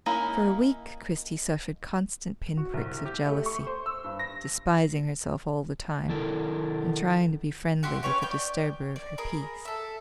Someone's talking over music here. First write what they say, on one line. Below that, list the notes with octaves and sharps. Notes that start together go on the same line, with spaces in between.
For a week Christie suffered constant pin-pricks of jealousy, despising herself all the time, and trying to be friendly with the disturber of her peace.
A#3 C#4 D#4 E4 A#4
F#4
C2
G4
A3
C#6
C5
E6
G2
A#6
D#3 E4 A4 A#4
F#4 G4 E5 C6
C#4 B4 C#5 G5
D5 G5 G6
D5
G#4 A#4 B5
A4 E5